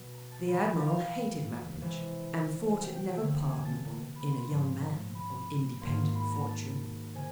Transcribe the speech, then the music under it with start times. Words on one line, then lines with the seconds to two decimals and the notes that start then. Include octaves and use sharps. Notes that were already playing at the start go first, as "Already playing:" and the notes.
The Admiral hated marriage, and thought it never pardonable in a young man of independent fortune.
Already playing: B2 F#3 B3
0.14 A#5
0.31 A5
0.48 A2 E3 A3 B5
0.65 G5
0.81 F5
1.81 C3 E3 G#3 E5
2.82 G5
2.98 G5
3.15 D3 F#3 A#3 G5
3.48 G#5
3.65 A5
4.15 B5
4.32 C6
4.48 G#2 F3 G#3 C#4
5.15 B5
5.81 G#2 D#3 F#3 A#3 C6
6.15 B5
6.32 A#5
6.49 A5
7.15 C3 D#3 G#5